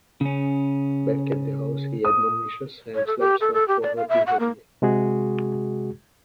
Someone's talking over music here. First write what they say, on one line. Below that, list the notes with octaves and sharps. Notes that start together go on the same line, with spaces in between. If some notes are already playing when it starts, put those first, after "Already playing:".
Back at the house, he admonishes and slaps her for her behavior.
C#3 C#4
D#6
C#5
A4
G4
A4
A4
G4
D5
F5
E5
F#5
A#3
C3 G#3 F#4 G#4